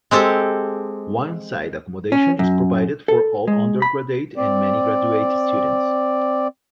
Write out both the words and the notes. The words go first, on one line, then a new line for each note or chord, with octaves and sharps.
On-site accommodation is provided for all undergraduate and many graduate students.
G#3 C4 G4 A4
C#4
F#2
A4
G#3
B5
C4 D5